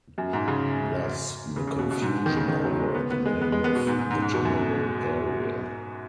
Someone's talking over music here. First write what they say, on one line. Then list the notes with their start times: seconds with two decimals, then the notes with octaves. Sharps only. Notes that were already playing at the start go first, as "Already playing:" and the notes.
Thus the confusion over the name of the general area.
0.18 F#2
0.33 G#2
0.48 C#3
1.56 C#3
1.67 C#3
1.79 B2
1.91 B2
2.02 G#2
2.26 D#3
2.36 C#3
2.48 D#3
2.65 F#3
2.79 G#3
2.95 B3
3.11 B3
3.26 G#3
3.41 B3
3.52 G#3
3.64 B3
3.75 B2
3.87 G#2
3.99 G#2
4.11 G#2
4.22 G#2
4.33 B2
4.45 F#2